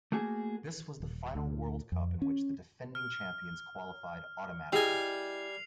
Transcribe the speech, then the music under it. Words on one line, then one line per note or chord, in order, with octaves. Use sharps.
This was the final World Cup in which the defending champions qualified automatically.
A3 A#3 F#4 G#4
D#1
D2
F2
C#4
F6
G3 E4 G#4 D#5 G#5 C7 F7